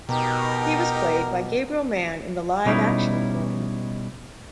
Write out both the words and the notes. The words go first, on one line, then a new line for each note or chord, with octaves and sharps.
He was played by Gabriel Mann in the live-action film.
B2 D#4 G4 A#4
B2 G3 C#4 D#4 E4